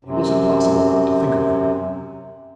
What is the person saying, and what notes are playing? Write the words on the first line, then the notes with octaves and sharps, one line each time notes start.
It was impossible not to think of her.
F#2 C3